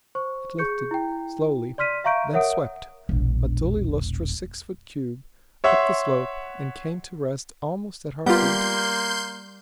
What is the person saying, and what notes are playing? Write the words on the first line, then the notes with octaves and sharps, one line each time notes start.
It lifted, slowly; then swept, a dully lustrous six-foot cube, up the slope and came to rest almost at our feet.
C5 C#6
G#4 C#6 G6 C#7
E4 G5
D5 C6 F6 B6 D#7
E5 F5 A#5 C#6 G6 D7
A#4 C#5 E5 F#5 D#6 D7
E1 A#1
C#5 E5 F#5 C6
G3 A#3 B3 F4 C6 G6